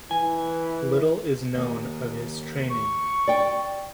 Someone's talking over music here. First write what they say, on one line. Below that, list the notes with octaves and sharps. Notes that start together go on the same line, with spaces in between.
Little is known of his training.
E3 G#5
D#2
C#6
D5 G5